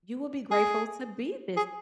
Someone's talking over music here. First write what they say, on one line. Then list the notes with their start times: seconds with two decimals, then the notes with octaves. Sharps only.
you will be grateful to be this.
0.51 G#4
1.57 G#4